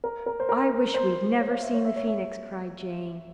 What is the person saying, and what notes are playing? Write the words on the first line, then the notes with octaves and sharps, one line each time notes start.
'I wish we'd never seen the Phoenix,' cried Jane.
A#4
A#4
C5
A#4
C5
C#5
F5
E5
C#5
E5
C#5
E5